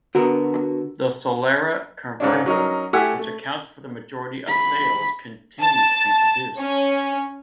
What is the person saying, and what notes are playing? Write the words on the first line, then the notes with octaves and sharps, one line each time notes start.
The Solara convertible, which accounts for the majority of sales, continued to be produced.
D3 B3 F#4 A#4
G#2 C#3 C#4 D4
F#3 C#4 D#4 A#4
A3 E4 G4 F#5 G#5 E6
A3
B5
A5
C#4